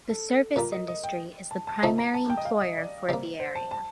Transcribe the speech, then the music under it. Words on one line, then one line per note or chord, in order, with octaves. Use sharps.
The service industry is the primary employer for the area.
A4
A#2 G3 A#3 A#4
D#5
D#5
G5
A5
A5
C3 F3 A3 D#4 A5
A#5
A5
G5
D#5
F5
D#5
D5
C3 G3 A#3
C5
A5
A5